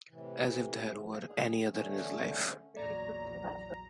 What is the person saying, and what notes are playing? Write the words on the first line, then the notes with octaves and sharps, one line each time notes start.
As if there were any other in his life!
A2 C3 E3
G#4
D3 A3 C#4
A#1 E2 F#3 D5 A#5